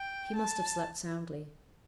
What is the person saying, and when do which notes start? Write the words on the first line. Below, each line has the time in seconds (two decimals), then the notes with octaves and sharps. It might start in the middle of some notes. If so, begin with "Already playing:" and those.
He must have slept soundly.
Already playing: G5
0.36 A5